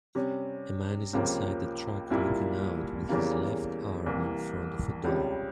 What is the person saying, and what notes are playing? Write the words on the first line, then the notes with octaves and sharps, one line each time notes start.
A man is inside a truck looking out with his left arm in front of a door.
C3 G3 C#4
C#2 C3 F3 A#3 C#4
C2 A#2 G3 A#3 E4
E2 C#3 E3 G3 A#3
C2 C3 E3 A#3
C#2 C3 G3 C#4